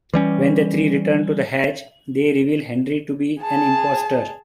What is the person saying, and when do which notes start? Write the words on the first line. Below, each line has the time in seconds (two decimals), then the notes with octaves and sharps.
When the three return to the Hatch, they reveal Henry to be an impostor.
0.13 E3 G3 C#4
3.41 G#4 A5